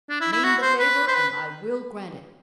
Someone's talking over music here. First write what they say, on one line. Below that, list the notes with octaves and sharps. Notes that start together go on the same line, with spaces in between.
"Name the favor and I will grant it."
D4
E4
E4
F#4
C5
B4
C5
B4